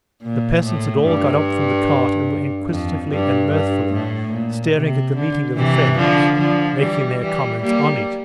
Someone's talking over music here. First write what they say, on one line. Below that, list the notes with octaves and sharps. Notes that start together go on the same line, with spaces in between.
The peasants had all got up from the cart and were inquisitively and mirthfully staring at the meeting of the friends, making their comments on it.
A#2
A2
G2
F2
G2
G2
A2
A#2
C3
D3
C3 E3
D3 F3
D3 F3
E3 G3
E3 G3
G3 A#3